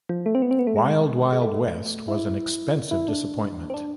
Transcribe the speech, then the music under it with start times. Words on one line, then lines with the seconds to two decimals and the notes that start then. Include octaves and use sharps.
"Wild Wild West" was an expensive disappointment.
0.09 F3
0.26 A3
0.35 C4
0.42 B3
0.51 C4
0.59 B3
0.67 A3
0.76 G#3
1.33 G#3
1.42 A3
2.08 E4
2.91 E4
3.08 D4
3.70 C4
3.74 D4